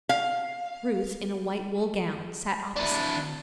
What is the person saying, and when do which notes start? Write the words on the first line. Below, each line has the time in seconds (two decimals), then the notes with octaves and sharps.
Ruth, in a white wool gown, sat opposite him.
0.09 F5
2.76 D4 E4